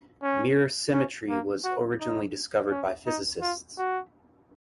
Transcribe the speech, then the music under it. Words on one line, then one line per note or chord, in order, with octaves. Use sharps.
Mirror symmetry was originally discovered by physicists.
C#4
C#4
A#3
F#4
D#4
C#4
D#4
F4
F#4